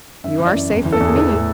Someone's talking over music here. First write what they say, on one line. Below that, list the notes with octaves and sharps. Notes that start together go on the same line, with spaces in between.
"You are safe with me."
F#2 E5
E3
D5
F#2
E2
E3
A4
E2 G#4
E3 A4
A2